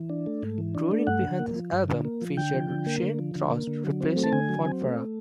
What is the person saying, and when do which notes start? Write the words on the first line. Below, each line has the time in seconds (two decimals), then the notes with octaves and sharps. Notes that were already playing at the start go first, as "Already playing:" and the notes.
Touring behind this album featured Shane Trost replacing Fonfara.
Already playing: E3
0.09 D4
0.26 A3
0.43 G#2
0.58 E3
0.75 D4
0.91 A3
1.07 G2 F#5
1.23 D3
1.40 A#3
1.56 F3
1.72 G2
1.88 D3
2.05 A#3
2.22 F3
2.37 D3 G5
2.54 F3
2.70 D3
2.87 A#3
3.03 D3
3.19 F3
3.35 D3
3.51 A#3
3.67 D3
3.84 F#3
4.01 C4
4.16 A3
4.24 A5
4.32 D3 G#5
4.49 F#3
4.65 C4
4.82 A3